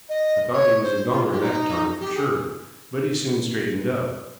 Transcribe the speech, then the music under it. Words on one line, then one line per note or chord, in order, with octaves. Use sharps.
I thought he was a "goner" that time for sure, but he soon straightened up.
D#5
C#5
C5
F4
G4
D#4
G4
G#4